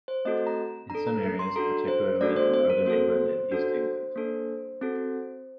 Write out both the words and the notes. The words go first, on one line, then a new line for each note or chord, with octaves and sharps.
In some areas, particularly in northern England and East England.
C5
A3 C4 F#4 A4 D#5
A#5
D4 A4 A#5
A#5
A#5
C6
D4 F#4 A4 A#5
C5
A3 D4 F#4 A4 D5
C5
C5
A#4
A#3 F#4 A4 C5
D4 F#4 A4
A#3 D4 A4
C4 F#4 A4